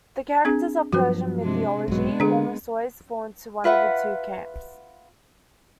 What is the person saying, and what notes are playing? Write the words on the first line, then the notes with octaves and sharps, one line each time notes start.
The characters of Persian mythology almost always fall into one of two camps.
C4 D4 G#4
G2 F3 F#3 F#4 B4
C3 G#3 D4
B1 G#2 F#3 G#3 B3
D3 D4 G#4
F4 B4 E5 F#5